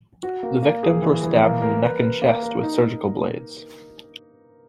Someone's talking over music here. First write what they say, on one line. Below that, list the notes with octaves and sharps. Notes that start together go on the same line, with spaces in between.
The victims were stabbed in the neck and chest with surgical blades.
F#4
A#3
A#3
G#4
E3
E3
A#3
A#4
B4
B4
A#3
A#4
D#4
D#4